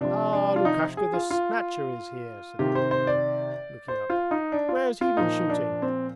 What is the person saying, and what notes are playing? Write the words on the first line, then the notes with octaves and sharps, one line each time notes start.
'Ah! Lukashka the Snatcher is here!' said the old man, looking up. 'Where has he been shooting?'
C3 F3 D4
D4
F4
D#4
G#4
F4
F4
C3 D#3 G4
C5
C5
D5
C5
F4
D#4
D4
F4
F4
A#2 F3 D#4
D4
C4